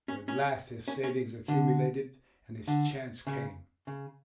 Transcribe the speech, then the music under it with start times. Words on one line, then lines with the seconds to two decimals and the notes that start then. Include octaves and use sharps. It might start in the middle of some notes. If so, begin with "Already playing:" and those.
But at last his savings accumulated, and his chance came.
0.08 C#4
0.28 C#4
0.88 C#4
1.03 C#4
1.48 D3
2.67 D3
3.27 C#3
3.87 C#3